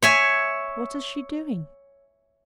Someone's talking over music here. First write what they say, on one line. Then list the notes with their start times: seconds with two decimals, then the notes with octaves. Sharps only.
"What is she doing?"
0.02 C#5 E5 G#5